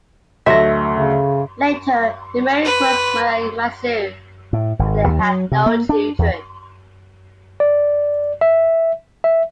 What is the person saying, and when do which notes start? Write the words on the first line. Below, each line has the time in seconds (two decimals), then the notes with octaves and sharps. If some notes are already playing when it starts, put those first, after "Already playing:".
Later he married Cruz Maria Massu, but they had no children.
0.46 D2 F#3 A3 E5 A#6
0.91 C#3
2.65 B4
4.53 A2
4.79 G#1
5.07 D#2
5.19 F#3
5.52 C3
5.66 A#3
5.89 D4
6.19 E2
7.60 D5
8.41 E5
9.24 E5